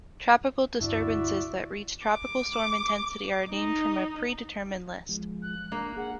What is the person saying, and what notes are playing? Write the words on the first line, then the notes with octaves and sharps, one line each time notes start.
Tropical disturbances that reach tropical storm intensity are named from a pre-determined list.
D2 G2 D4 E4 F#4 D5 E5
D6
D#4
F3 G#3
F#6
A#3 D4
G#4 F#5